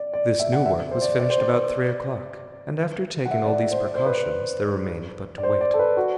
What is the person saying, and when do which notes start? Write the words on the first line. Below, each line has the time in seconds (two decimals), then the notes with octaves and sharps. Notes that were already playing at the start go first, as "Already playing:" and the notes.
This new work was finished about three o'clock, and after taking all these precautions there remained but to wait.
Already playing: D5
0.13 D5
0.40 E5
0.53 F#5
0.66 E5
0.91 C5
1.02 D5
1.19 D5
1.30 C5
1.41 D5
3.25 F#5
3.31 E5
3.45 D5
3.71 C5
3.85 D5
3.95 C5
4.06 B4
4.17 C5
5.38 D5
5.43 C5
5.61 D5
5.74 A4
5.79 B4
5.97 F#4